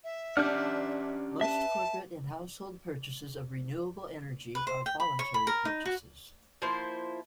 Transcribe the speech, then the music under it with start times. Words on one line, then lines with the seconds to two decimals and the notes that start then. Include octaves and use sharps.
Most corporate and household purchases of renewable energy are voluntary purchases.
0.04 E5
0.37 C#4 D4 G4 F#5 F6 G6
1.41 B4 E5 A5
4.55 B4
4.67 C5
4.86 G5
5.00 B5
5.19 C#5
5.34 B5
5.47 A#4
5.65 D#4
5.85 F#4
6.62 F3 A#3 E4 C5